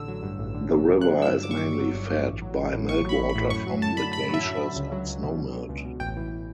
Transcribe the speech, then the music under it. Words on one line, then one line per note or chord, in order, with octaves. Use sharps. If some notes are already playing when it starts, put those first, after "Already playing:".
The river is mainly fed by meltwater from the glaciers and snowmelt.
Already playing: A1 D3 E6
F#3
G2
A1
D3
F#3
G2
G1 F#6
F#3 E6
G1
D6
G2 C#6
D6
G1
F#3
G1
G2
A1
F#3
A1
A2
A1 C#6
F#3
B5
A1
B5
A2
F#2 C#6
F#3
F#2 A5
D3 B5
F#2 B5
F#3 E5
F#2
E5
D3
C#2
F#3
C#2
B2
C#2
F#3
C#2
B2
A1 G5
E3